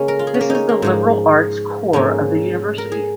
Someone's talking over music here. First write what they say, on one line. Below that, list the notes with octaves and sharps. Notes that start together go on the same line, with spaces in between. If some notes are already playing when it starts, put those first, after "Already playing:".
This is the liberal arts core of the university.
Already playing: C#3 G#3 A#3 C#4
A#4
F4
G#4
C#4
A#3
C#4 D#4
A#3
G#2 F3 A#3
G#2 F3 A#3 C#4
A#4
G#4